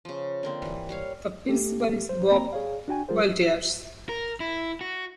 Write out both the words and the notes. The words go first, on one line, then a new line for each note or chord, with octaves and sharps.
The principal is Bob Walters.
C#3 F3
D3 A#3 C4
E3 G3
G3 C#5 F5
A3 G4 A4
C5
A#3 C4 A#5
G#4 C#5 F5
D4 F#4 G5 G#5
F#3 G#3 F4 G#4 A#4 C5
A#4
E4
F#4